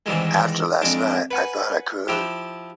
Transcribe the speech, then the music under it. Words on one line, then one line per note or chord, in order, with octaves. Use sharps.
After last night, I thought I could.
G#2 C3 D#3 E3 G3 G#3
F2 G#3 D4
B4 F#5 G#5
F3 E4 G4